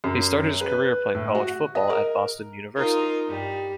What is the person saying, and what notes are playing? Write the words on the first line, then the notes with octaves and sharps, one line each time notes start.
He started his career playing college football at Boston University.
F#2
B4
A2
F#4
D#5
A#4
D#4 F4 A#4
G2 G3